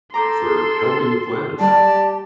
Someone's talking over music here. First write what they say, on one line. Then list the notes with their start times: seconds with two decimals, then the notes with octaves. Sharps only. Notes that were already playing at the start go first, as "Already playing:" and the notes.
for helping the planet out.
0.14 A4 A#5 C6 D6 G6
1.60 G3 G4 D5 A5